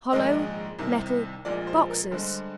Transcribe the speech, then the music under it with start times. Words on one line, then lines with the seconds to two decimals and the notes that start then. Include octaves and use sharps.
Hollow metal--boxes!
0.12 A#1 G#2 D#3 G#3 D#5
0.79 C2 C3 D#3
1.45 A#1 A#2 G#3 D5
1.67 C5
1.90 A#4
2.11 G2 D3 G#3 C5